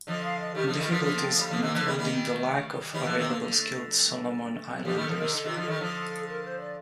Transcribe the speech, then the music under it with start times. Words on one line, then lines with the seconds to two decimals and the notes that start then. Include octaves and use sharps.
Difficulties include the lack of available skilled Solomon Islanders.
0.07 D3 F3 D#5
0.23 F5
0.39 D#5
0.55 D#3 G3 G4
0.67 D3 F3 A4
0.79 D#3 G3
0.87 D3 F3 F4
1.03 D3 F3 D4
1.14 A#3
1.19 C4
1.35 A3
1.39 G3
1.45 A3
1.50 D3 F3 A#3
1.62 C3 D#3 A#3
1.74 D3 F3
1.82 D#3 G3 A3
1.91 C4
1.98 D#3 G3 A#3
2.14 C4
2.30 A3
2.93 D#3 G3 A3
3.05 D3 F3 A#3
3.18 C3 D#3
3.26 D3 A#3
3.41 D3 A#3
3.58 A3
3.74 A3
3.89 G3
4.05 A3
4.21 G3
4.37 G3
4.53 A3
4.69 C4
4.85 D3 F3 G4
4.96 D#3 G3 A4
5.09 D3 F3
5.16 C3 D#3 A#4
5.32 D3 A4
5.44 C3 D#3 F4
5.56 D3 F3
5.64 D#3 G3 A4
5.80 D3 F3
6.28 A#4
6.44 C5
6.60 D5